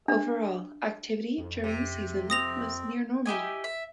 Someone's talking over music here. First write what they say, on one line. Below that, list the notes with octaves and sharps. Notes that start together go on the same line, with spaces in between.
Overall, activity during the season was near normal.
D4
F2
C3
C4 D#6 A#6 F7
E4 G4 D#5 G#5
E5